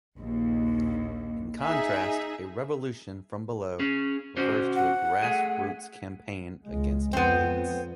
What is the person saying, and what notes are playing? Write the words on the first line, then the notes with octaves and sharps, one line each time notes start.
In contrast, a "revolution from below" refers to a grassroots campaign against elites.
A#1 D#2
D#4 G#4 E5
C#4 G#4
C#4 F#4 C5
F#5
A3 G#4
C#2 G#3
F2 B3 C4